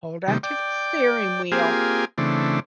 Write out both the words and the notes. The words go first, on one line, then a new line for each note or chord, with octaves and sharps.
hold on to the steering wheel
C3 D#3 G3
D5 G5
A#3 C4 F4 G4 G#4 G#5
C#3 E3 A3 C4 D4